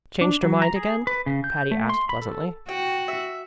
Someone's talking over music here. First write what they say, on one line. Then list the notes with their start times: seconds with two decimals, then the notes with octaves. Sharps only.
"Changed her mind again?" Patty asked pleasantly.
0.21 D4
0.43 F#3
0.62 A#5
0.76 G#4
1.07 B4
1.26 C#3
1.44 G6
1.71 A3
1.89 C6
2.09 B5
2.22 A4
2.69 F#4 G5
3.08 E5